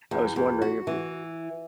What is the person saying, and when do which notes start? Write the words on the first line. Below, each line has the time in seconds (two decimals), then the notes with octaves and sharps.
I was wondering if you
0.11 E2
0.36 E2
0.62 F#4
0.87 E3